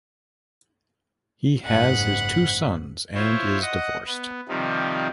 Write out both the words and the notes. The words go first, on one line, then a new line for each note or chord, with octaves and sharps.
He has his two sons and is divorced.
F#1 G#2 F#5 B5
E4 F4 C5 C#5
D#5 F#5 D#6
B3
C3 D#3 F3 G3 D#4